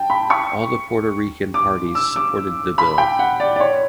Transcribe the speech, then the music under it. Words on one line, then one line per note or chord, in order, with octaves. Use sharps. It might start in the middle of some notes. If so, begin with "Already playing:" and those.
All the Puerto Rican parties supported the bill.
Already playing: G5 A5
B5
C#6
D6
E6
D6
B5
G5
F#5
D5
D5
C#5